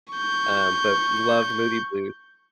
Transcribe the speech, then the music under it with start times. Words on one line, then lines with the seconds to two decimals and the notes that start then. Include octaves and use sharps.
um, but love Moody Blue
0.14 C#6 G6